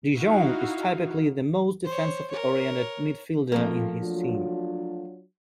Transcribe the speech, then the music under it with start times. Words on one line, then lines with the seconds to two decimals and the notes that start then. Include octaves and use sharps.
De Jong is typically the most defensively oriented midfielder in his team.
0.16 D#4 E4 F#4 F5
1.85 C5 C#5
2.29 A#4 C#5
3.52 G#2 F3 A3 A#3 C4 F4
4.01 F#3 D4 F4